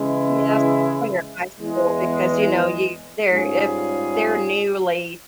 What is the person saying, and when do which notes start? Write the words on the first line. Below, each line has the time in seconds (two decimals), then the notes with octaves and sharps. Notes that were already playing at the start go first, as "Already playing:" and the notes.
Yeah, s when you're in high school, because, you know, you they're if they're newly
Already playing: C#3 E3 G#3 E4
1.60 E2 E3 G#3
3.31 G#2 G3 C#4 F4 G#4